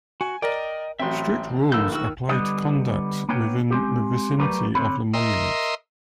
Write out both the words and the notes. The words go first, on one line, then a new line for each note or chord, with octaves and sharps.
Strict rules apply to conduct within the vicinity of the monument.
F#4 G#5
A#4 D5 D#5 G5
A1 F#3 C4 E5 C6
A#1 D3 A#3 E6 G6
D#3 F#4 E6
D3 G3 B3 D4 D#5
A#3 B3 D4 C#5 G5
G#3 C4 G4
F#3 G3 A3 A#4 B4 D5
D3 C4 C#5 B5
A#4 D#5 E5 C6